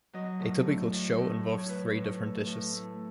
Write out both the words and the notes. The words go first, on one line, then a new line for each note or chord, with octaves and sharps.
A typical show involves three different dishes.
F#3 D#5
A2
A3
A2
A2
A2
C#5
A2 B4
A2
A3
A2
A3